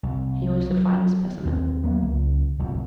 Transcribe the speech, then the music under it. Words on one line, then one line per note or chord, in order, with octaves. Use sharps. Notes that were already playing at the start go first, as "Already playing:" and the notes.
He was a fine specimen.
C2
F#3
D#2 C4
F#3 A#3 B3
C#2
D1 C2 F2